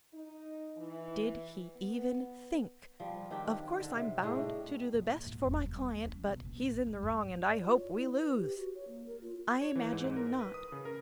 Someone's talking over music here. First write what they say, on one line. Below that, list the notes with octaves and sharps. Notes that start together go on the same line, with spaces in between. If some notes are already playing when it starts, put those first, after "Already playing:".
Did he even think, "Of course I'm bound to do the best for my client, but he's in the wrong, and I hope we lose?" I imagine not.
D#4
E3
B3
F3 G3
D#3 C4 D4 G4
D3
C3
A2 G#3 D4
A#1
G#2
E1
G3
D#2
C#4
B1
A#1
A2
G#3
G2
D5
F4
C#5
E4
B4
G4
F#4
C#5
A#3
A#4
F4
C#5
E3
G#2
G#2
A#4
B4
D#6
C#3
A#4